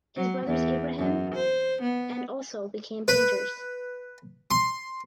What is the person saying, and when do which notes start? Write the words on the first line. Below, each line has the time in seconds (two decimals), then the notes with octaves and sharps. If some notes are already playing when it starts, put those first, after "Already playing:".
His brothers Abraham and also became painters.
0.16 F#3
0.46 E2
0.98 F#2
1.35 C5
1.82 B3
3.08 B4
4.51 C6